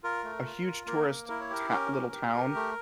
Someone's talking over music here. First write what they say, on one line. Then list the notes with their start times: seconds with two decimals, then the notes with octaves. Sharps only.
a huge tourist, eh, tow little town,
0.03 F4 A#4
0.24 A3
0.46 F4
0.67 F4
0.87 A#3 A#4
1.08 A#3
1.29 E4 A#4
1.40 C#5
1.50 G4 A#4
1.70 C#4 A#4
1.92 G4
2.13 G4
2.34 G4
2.55 A3